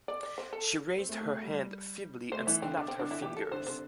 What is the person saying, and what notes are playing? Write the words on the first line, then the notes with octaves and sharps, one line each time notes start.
She raised her hand feebly and snapped her fingers.
D5
D5
C5
A4
C4
A3
A3
A3
G3
A3 C5
E3 E4
D3 C4
C3 D4
C4
D3 D4
E4
E3 G4
A4
D3 C5
C3
D3 C5